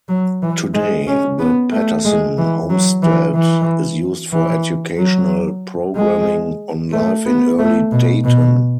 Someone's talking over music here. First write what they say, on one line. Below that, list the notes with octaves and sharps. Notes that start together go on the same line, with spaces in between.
Today, the Patterson Homestead is used for educational programming on life in early Dayton.
F#3
E3
G#3
C#4
B3
A3
G#3
E3
F#3
E3
E3
E3
F#3
G#3
A3
B3
A3
B2
B2